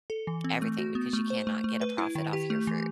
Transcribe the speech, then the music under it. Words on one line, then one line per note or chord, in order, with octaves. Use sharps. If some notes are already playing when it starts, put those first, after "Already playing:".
everything, because you cannot get a profit off your fruit.
A4
E3
C4
A3
F#4
B3
A3
C5
A3
A3
B4
E4
D#3
G4
A3
E3